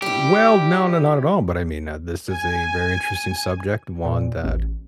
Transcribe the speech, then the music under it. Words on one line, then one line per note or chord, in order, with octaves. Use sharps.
Well, no, no, not at all. But I mean, uh, this is a very interesting subject. One that
G3 E4 G4
G#5
A#2
A1